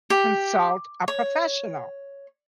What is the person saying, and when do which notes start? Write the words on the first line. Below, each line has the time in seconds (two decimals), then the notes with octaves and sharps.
consult a professional.
0.10 G4
1.08 C#5